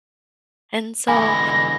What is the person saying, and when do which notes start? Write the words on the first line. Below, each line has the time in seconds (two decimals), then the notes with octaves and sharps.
And so
1.08 D3 E3 G#3 G#5 B5 D6 A#6